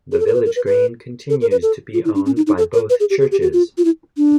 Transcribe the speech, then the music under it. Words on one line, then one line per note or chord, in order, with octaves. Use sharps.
The village green continues to be owned by both churches.
G#4
A4
A#4
B4
A#4
B4
B4
A4
A#4
B4
A4
F4
E4
D4
C#4
D#4
D#4
A4
A#4
B4
G#4
G4
G#4
G4
F#4
F4
F4
E4
D4